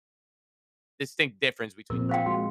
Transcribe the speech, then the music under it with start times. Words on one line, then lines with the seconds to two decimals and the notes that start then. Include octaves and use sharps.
distinct difference between the two.
1.90 A#2 F3 C4 A#4
2.09 C5 F5 G5
2.26 G#3 F#4